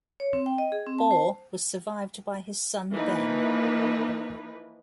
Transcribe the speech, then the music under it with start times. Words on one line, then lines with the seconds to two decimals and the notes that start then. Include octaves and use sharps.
Orr was survived by his son Ben.
0.20 C#5
0.33 C4
0.46 G5
0.58 D#5
0.72 G#4
0.86 C4
0.99 A5
1.11 C5
2.91 E3 F3 A#3 D#4 B4